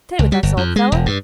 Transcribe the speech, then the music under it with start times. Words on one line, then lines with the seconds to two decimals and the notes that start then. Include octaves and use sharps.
"Stay with us, old fellow."
0.19 C#2
0.32 G3
0.43 G1
0.57 F2
0.76 G#3
0.92 E1
1.06 G2